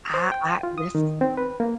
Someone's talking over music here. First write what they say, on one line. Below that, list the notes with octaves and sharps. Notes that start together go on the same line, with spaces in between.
I I this
C5
G5
F4
D#6
D#3
C4
B4
A#3